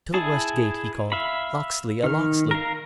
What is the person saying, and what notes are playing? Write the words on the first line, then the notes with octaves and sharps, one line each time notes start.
"To the west gate!" he called, "Locksley! a Locksley!"
E4 G#4 A5
E5 F5 B5
D#3 F6
A#4 F5